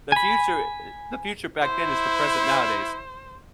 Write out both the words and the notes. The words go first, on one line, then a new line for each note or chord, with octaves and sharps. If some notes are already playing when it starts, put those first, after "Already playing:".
The future it The future back then is the present nowadays.
G#5 B5
E4 C5